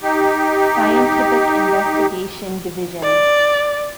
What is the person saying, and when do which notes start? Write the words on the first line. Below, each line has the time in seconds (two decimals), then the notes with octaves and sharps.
Scientific Investigation Division.
0.02 D#4 G4
3.03 D5